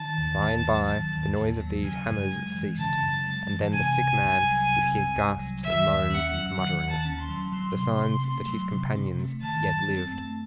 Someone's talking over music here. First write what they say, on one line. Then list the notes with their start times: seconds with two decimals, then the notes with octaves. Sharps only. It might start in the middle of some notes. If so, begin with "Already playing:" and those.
By and by the noise of these hammers ceased, and then the sick man could hear gasps, and moans, and mutterings--the signs that his companions yet lived.
Already playing: D#3 A5
0.17 D#2
0.42 D#2
0.65 F#3
0.89 D#3
1.12 D#2
1.36 D#2
1.60 F#3
1.83 C#3 G#5
2.07 F#2
2.31 G#3
2.55 E3
2.78 C#3 A5
3.02 F#2
3.26 G#3
3.49 E3
3.73 C3 G#5
3.97 C2
4.21 C2
4.44 F#3
4.68 C3
4.92 C2
5.15 C2
5.39 F#3
5.63 D#3 E5
5.87 D#2
6.10 C#4 F#5
6.34 F#3
6.58 D#3 F#5
6.81 D#2
6.90 A5
7.05 C#4
7.20 C6
7.29 F#3
7.52 F#3
7.76 C3
8.00 C3
8.24 A3
8.47 F#3
8.71 C3
8.95 C3
9.19 A3
9.42 D#3 A5
9.66 F#2
9.90 C4
10.13 A3